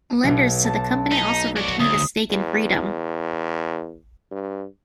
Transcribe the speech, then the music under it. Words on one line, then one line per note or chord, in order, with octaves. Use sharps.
Lenders to the company also retained a stake in Freedom.
B1 B2
A5
D#4 B6
F#4 D5
D2 D#6
E2
G2